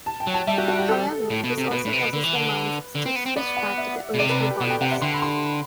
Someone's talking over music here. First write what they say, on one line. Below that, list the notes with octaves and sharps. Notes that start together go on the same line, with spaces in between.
However, this also causes their minds to switch back to their original bodies.
A5
G5
F#3
A5
G3 E5
F#4
F#4
G4
A4
A2
B2
C3
B2 B4
A2
C3
B2
D3
E3
D3
D3
C4
B3
C4
B3 D5
F#5
E5
B2
C3 D5
B4
A4
G4
B2
G5
C3 F#5
E5
D3 C6
B5
C6